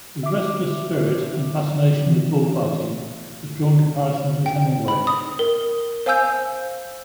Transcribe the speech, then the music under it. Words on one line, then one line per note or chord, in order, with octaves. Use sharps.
His restless spirit and fascination with bullfighting has drawn comparisons with Hemingway.
E5 D6
E3
G5
B5
D#6
A#4
C5 F5 G#5 E6 G6